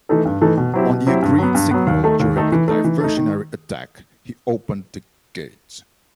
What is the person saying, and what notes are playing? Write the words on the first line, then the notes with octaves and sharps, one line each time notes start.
On the agreed signal, during a diversionary attack, he opened the gate.
E3 A3 D#4 A4
G2
E3 A3 D#4 A4
B2
F#3 C4 E4 G4
B2
F#3 C4 E4 G4
G2
F#3 B3
G2
F#3 B3
D#2
D#3 A3 D#4 A4
D#2
D#3 A3 D#4 A4
E3
A3 D#4
E3
A3 D#4
D#3